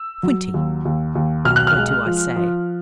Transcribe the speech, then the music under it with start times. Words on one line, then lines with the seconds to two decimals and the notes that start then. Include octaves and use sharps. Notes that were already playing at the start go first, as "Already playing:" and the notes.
Twenty! what do I say?
Already playing: E6
0.23 F#3
0.54 D#2
0.85 D#2
1.15 D#2
1.45 B1 F6
1.56 F#6
1.67 F6
1.76 G#3
2.06 F3
2.36 F3